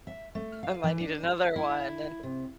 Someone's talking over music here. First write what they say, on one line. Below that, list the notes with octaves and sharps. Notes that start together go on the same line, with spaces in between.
I might need another one then."
E5
A3
F5
E3
D4
F4
E4
C3